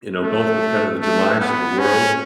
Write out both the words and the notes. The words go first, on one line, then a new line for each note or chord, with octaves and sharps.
you know, both with kind of the demise of the world,
A3
A3
B3
C#4